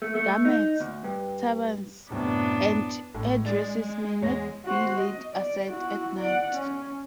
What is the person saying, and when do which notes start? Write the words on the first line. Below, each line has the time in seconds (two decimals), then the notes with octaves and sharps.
Garments, turbans, and headdresses may not be laid aside at night.
0.02 A3
0.15 A3
0.45 D#4
0.80 D2
1.04 G2
2.11 F#2 A2 C3 B3 D4
3.14 A1 A2
3.45 G#3 D5 A6
4.21 E2 C#5 A#6
4.65 F#4 C5
4.97 D#5
5.33 D5
5.69 E4 F#4
6.19 D5 F#5
6.53 C#4